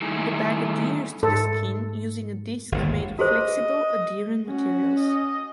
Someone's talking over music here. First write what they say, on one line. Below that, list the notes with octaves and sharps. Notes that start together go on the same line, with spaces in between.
The bag adheres to the skin using a disk made of flexible, adherent materials.
D#3 G3 A3 D#4 E4 G#4
G#2 A4
G1 D#2
F#4 G#4 C5 D#5
C#4 F#4
D#5